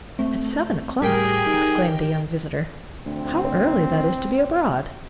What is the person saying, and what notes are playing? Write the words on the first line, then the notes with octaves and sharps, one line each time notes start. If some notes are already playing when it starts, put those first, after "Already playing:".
'At seven o'clock!' exclaimed the young visitor; 'how early that is to be abroad!
A3 C4
A2 G3 G4 G#4 A#4 G5
D#4
D2 C4